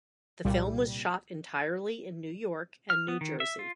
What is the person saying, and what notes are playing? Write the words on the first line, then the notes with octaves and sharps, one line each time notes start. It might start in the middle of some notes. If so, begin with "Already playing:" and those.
The film was shot entirely in New York and New Jersey.
C2 A#2 G3
F6
B3
D#3
E5
F4